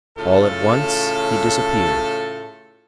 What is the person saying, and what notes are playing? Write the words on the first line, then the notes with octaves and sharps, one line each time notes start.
All at once he disappeared.
A2 C#3 F4 A4